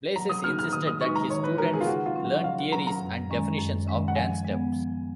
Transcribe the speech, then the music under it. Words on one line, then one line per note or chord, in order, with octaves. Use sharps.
Blasis insisted that his students learn theories and definitions of dance steps.
F#3 A#5
D#6
A#3 D#4 F#4 F6
F6
D#3 D#6
D#6
G#3 D#4 F#4 B4 C#6
A#5
D#3 C#5
B4
G#3 D#4 F#4 A#4 B4
G#4
F4
C#3 F#4
F4
F#3 C#4
F#4
C#3 F5
F#5
F#3 C#4 A#5
A#5
F#2
D#3 G#3 C#4
F#2
D#3 G#3 C#4
F#5
F3 G#5
G#3 B3
F3